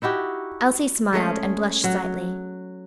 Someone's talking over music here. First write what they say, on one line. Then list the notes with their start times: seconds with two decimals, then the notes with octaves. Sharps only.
Elsie smiled, and blushed slightly.
0.02 D#4 E4 F#4 G4
1.13 G#3 A3 C#4 G#4
1.84 F#3